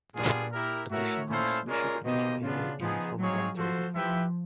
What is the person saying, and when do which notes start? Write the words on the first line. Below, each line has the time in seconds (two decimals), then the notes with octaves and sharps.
Additionally, Swisher participated in the Home Run Derby.
0.15 A#2 G3 B3 D4 F4 G#4
0.52 E4 G4 A#4
0.91 A2 F#4 A#4 C#5 E5
1.29 A#2 C#4 E4 A4 C5 F5
1.67 G#3 C#4 F4 A#4 D5
2.05 B2 A#3 D#4 G4 C5 D#5
2.43 C#3 B3 D4 F4
2.81 F3 B3 D#4 G#4
3.19 F#3 C4 D#4 G#4 C#5 F5
3.56 F3 F#4 A4 C5
3.95 F3 E4 G4 B4 E5 G5